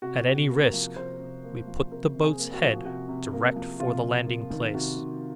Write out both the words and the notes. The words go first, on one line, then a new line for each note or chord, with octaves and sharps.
At any risk, we put the boat's head direct for the landing-place.
C3 F#4
C3
F#4
A#3
A#4
F3
C3 C5
C3
A#3
F3
C3 A#4
C3
G#4
A#3
F#4
F3
C3 F#4
C3
A#3
F3
C3 F4
C3
A#3
D#3
C3 F#4
C3